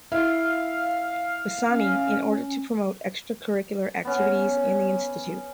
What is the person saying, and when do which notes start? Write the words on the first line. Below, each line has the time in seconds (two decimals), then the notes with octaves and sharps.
Vasani in order to promote extra curricular activities in the institute.
0.12 E4 F5
1.69 C#4
4.05 B3 C#4